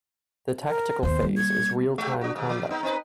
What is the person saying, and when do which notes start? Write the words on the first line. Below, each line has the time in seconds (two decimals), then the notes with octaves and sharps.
The tactical phase is real-time combat.
0.68 A#4
1.03 D#2 B3 C5
1.22 G3 A#3
1.37 G#6
1.98 G#3 G4
2.21 D4 F#4
2.36 D#2 G#2
2.49 F3
2.70 B3 D#4
2.83 C4 D#4 B4